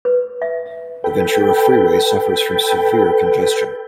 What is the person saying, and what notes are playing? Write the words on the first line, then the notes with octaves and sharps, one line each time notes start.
The Ventura Freeway suffers from severe congestion.
B4
E5
A4 B4 G5